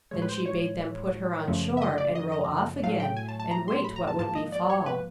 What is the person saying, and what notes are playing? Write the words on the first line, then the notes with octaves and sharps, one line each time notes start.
Then she bade them put her on shore, and row off again, and wait what would befall.
A2 E3 G#3 C#5
B4
C5
C#5
F#2 C#3 F3 A3
E5
D#5
D5
D#5
D#5
A2 F#3 A3 F5
G5
G#5
A5
A5
A#5
C6
B5
A#5
A5
G#2 F3 A#3 A5
D#5
D5
C#5
B4